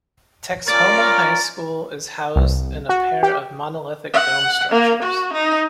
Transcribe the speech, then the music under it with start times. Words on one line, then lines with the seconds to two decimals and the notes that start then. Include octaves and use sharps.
Texhoma High School is housed in a pair of monolithic dome structures.
0.68 C#4 F4 A#4 D5 A6
2.36 C2
2.89 F#4
3.23 G4
4.13 F#5
4.72 A#3
5.02 F#4
5.33 D#4